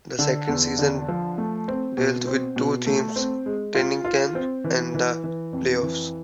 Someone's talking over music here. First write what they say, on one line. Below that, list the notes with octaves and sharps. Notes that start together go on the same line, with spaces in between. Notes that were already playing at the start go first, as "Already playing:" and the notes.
The second season dealt with two themes: training camp and the playoffs.
D3
E2
D3
F3
A3
C4
B2
C4
B2
A3
C4
G#3
F4
F4
C4
E3
E3
E3
F2
E3